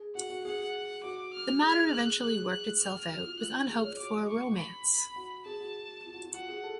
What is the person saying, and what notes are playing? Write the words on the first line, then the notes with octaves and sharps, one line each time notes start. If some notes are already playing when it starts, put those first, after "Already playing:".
The matter eventually worked itself out with unhoped-for romance.
Already playing: G#4
F#4 F#5
F#4
G#4 F#5
F#4 D6
F6
G#4 F6
F#6
G#4 F#6
F#6
F6
F#4
F4
F#6
G#4 F6
C#5
F#4 D6
C#6
B5
F#4
G#4 A5
F#4
F4
F#4
F4
F#4 F#5
G#4
A4